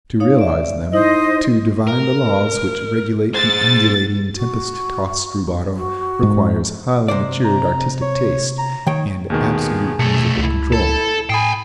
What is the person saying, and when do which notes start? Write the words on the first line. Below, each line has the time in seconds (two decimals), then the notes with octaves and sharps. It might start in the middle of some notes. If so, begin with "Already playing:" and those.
To realize them, to divine the laws which regulate the undulating, tempest-tossed rubato, requires highly matured artistic taste and absolute musical control.
0.20 D#4 C#5 F5
0.39 D5 E5
0.92 D#4 E4 C5 D#5
1.87 A#4
3.34 G#4 C5 A6
4.35 F#4
5.76 F#4
6.23 G#2
7.08 C3 C5 D5
7.45 A#5
8.02 C#5
8.58 A#5
8.87 D#3 C#5 G5
9.30 D#2 B2 D#3 G#4
9.99 C2 B2 A3 A5 C#7
10.38 C#2 E4
10.72 A4
11.30 A2 G5 G#5 B5 D#6 C7